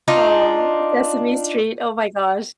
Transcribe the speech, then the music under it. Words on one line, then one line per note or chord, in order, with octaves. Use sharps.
Oh, Sesame Street, oh my gosh.
D4 D#4 F4